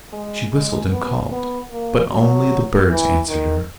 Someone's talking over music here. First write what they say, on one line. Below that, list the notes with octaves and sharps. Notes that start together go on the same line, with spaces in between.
She whistled and called, but only the birds answered her.
G#3
G#3
B3
B3
A#3
F#3
E3
D#3